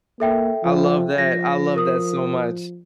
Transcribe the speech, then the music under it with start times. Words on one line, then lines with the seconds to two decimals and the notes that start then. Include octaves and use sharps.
I love that I love that so much.
0.20 A#3 A4 E5 G5
0.64 F3
1.18 F3 A#6
1.76 A#4 D#6